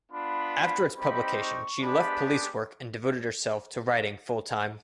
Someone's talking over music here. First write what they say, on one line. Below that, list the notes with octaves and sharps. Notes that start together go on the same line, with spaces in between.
After its publication, she left police work and devoted herself to writing full-time.
B3 D4 F4 B5
G3 C4 D#4 B5
C#6
G#3 B3 D4 G4 B5